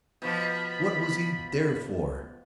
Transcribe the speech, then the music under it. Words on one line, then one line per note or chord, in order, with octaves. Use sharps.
What was he there for?
B2 F3 B5